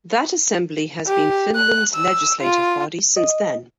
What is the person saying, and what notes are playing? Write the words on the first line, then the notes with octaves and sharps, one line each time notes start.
That assembly has been Finland's legislative body since then.
G4
F#6
E6
F4
D#5